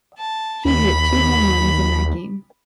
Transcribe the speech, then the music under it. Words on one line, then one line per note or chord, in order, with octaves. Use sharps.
He hit two home runs in that game.
A5
D#2 B5